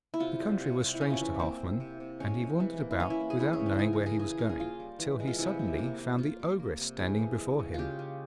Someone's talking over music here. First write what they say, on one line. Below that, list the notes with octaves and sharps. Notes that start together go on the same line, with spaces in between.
The country was strange to Halfman, and he wandered about without knowing where he was going, till he suddenly found the ogress standing before him.
E4
C3 F4
G3
C3
C3
E4
C#3 C#4
F4
E3 E4
A#3 C4
A#3
C3
C3
G#3 C#4
C3
E3
A#3
E4
E3 C#4
E4
A#3
G#4
E3 E4
C#4
C#3
C4
C#3 G#4
A#4
E3
G#4
C#3 G#4
G#4
C#3 A#4
G#4
A#3 F4
G3
E3
G#3
F4
C3 E4
C3
A#3
A#3
A#3 F4
G3
A#3
C3
E3 G#4
A#3
G#3
C#3
C#3 F4 G4
C#3